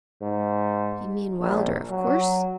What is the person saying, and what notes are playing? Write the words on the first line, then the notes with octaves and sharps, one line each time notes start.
You mean Wylder, of course?'
G#2
A#1
F#3